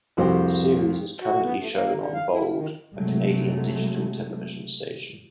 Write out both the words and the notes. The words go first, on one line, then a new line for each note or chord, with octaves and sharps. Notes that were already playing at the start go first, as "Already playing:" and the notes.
The series is currently shown on bold, a Canadian digital television station.
C2 F2 F#4 G4 C5 G5
F#4
B3
A3
A#3
D3
F5
E4
D#3
C3 F#3 G#3 A3